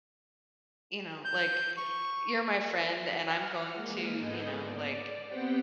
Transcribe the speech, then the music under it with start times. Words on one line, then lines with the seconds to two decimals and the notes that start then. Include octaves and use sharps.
you know, like, eh, you're my friend, and I'm going to, you know, like
1.25 G6
1.77 C#6
3.23 F#5 F6
3.74 G#3 A#3
4.18 G#2 B3 G#4 A4 D#5 G6
4.58 D5
5.28 B3 C4 G4 C5 F#5 G5